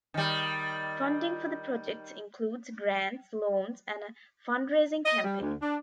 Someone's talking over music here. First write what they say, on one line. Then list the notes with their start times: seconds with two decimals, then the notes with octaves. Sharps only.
Funding for the projects includes grants, loans, and a fundraising campaign.
0.14 D#3 G3
5.06 D#5
5.24 G3
5.42 D2
5.62 D4